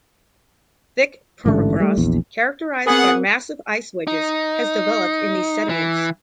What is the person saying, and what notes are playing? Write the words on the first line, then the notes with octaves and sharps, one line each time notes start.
Thick permafrost characterized by massive ice wedges has developed in these sediments.
A1 G#2 D3 A3
G3 A3
A#1 E2
B3 C4 G#4 A#4 F#5
D#4
E3